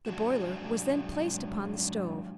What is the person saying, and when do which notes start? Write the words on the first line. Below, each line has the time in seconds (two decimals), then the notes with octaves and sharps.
The boiler was then placed upon the stove.
0.06 F#3 G#3 D4 F#4